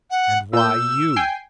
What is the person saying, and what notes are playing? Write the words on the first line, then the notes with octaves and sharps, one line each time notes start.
"And why YOU?"
F#5
A#2 E6 G6
G5 G#5 C7